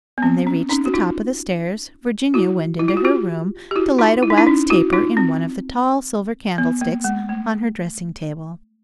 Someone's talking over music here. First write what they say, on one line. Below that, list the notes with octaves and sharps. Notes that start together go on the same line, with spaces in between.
When they reached the top of the stairs, Virginia went into her room to light a wax taper in one of the tall silver candlesticks on her dressing-table.
B3
C4
C#4
C#4 D#4
F#4
D#4 F4
E4 F#4
E4
F4
F#4
F4 G4
G4
E4 F#4
D#4 F4
E4
D#4
D4 E4
C#4 D#4
E4 F#4
D#4 F4
C4
B3
A#3
G#3
A3